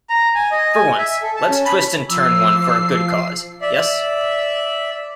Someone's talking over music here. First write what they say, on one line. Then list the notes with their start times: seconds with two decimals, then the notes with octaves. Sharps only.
For once let's twist and turn one for a good cause, yes?
0.10 A#5
0.35 G#5
0.51 D#5
0.74 G#5
0.98 E5
1.22 A4
1.37 A5
1.49 C#4
1.65 B5
2.08 F3 A#5 D6 E6 C7
3.61 D5 E5